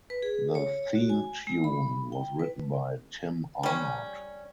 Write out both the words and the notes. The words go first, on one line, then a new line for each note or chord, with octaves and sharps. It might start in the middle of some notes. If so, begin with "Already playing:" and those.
The theme tune was written by Tim Arnold.
B4
G#4
C#5
F#4
G#5
G#3
B5
G5
B4
G3 C#4